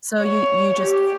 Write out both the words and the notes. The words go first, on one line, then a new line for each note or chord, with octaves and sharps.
So you you just f
C#5
G4